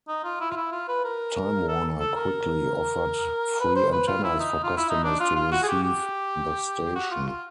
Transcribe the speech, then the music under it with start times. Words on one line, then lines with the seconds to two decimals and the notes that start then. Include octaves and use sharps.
Time Warner quickly offered free antennas for customers to receive the station.
0.08 D#4
0.24 F4
0.40 E4
0.51 F4
0.56 E4
0.72 F4
0.88 B4
1.04 A#4
1.68 A4
2.00 A4
2.15 A#4
3.60 B4
3.76 C5
3.92 B4
4.08 F4
4.24 E4
4.39 D#4
4.63 F4
4.77 E4
4.90 D#4
5.04 D4
5.20 F4
5.36 F4
5.52 F#4
5.63 G#4
5.68 G4
5.83 G4
6.96 F#4
7.11 F4
7.27 F4